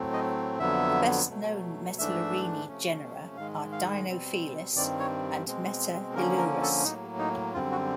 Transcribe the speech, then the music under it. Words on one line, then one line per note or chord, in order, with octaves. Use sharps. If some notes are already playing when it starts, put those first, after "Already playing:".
The best known Metalurini genera are "Dinofelis" and "Metailurus".
Already playing: A2 F#3 A3 C4
D#5
F2 D3 F#3 B3 E5
B2 F#3 A3
G#2 E3 A3 D4 E5
C3 F3 A3 C#4
G#2 D#3 G#3 F5
F5
B2 G3 C4
G2 D#3 G3 C4 D5
C#5
B2 G#3 C4
D3 F3 A#3 C#4 A#4
A#4
A4
A2 F#3 A#3 D#4
D#4
F#2 D3 G3 C4 F4
F#4